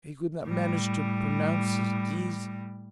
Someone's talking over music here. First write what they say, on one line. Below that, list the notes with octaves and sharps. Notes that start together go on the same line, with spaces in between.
He could not manage to pronounce his Ds.
A2 G3